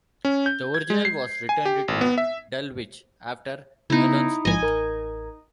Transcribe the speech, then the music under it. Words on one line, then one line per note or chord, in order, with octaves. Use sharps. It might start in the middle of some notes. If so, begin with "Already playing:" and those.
The original was returned to Dulwich after Malone's death.
C#4
G6
G#6
G#3
C7
G#5
G4
G#1
B3
E5
C#3 B3 D#4 E4
A1 G#2 F3 D#5 G#5
A1 A#4 A#5